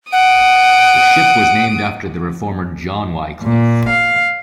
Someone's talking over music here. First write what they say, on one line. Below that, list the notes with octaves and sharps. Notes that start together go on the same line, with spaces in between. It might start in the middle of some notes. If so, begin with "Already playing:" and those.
The ship was named after the Reformer, John Wycliffe.
F#5 D#6 D7
A#2
F5